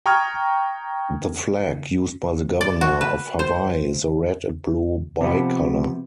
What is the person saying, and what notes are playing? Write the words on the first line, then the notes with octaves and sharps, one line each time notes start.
The flag used by the governor of Hawaii is a red and blue bi-color.
G5 A#5 C#6 D#6 F6 G#6
D5
F#4
B4
C5
C3 F3 B3